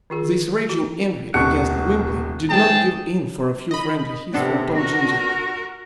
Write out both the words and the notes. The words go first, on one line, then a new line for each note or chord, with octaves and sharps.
This raging envy against Gwynplaine did not give in for a few friendly hits from Tom-Jim-Jack.
D#3 F4 G#4
F#4
D#1 C2 B2 F#5 C#6
C#2 G#2 G#4 G5 A5
D#5 B5
C3 B3 D4 A4
F#4 A#4